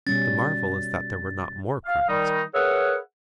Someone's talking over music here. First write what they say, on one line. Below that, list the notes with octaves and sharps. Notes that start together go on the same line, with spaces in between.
The marvel is that there were not more crimes.
B2 G3 C#4 A6
F5
D#3 G3 D#4
G#4 A#4 B4 C#5 E5 F#5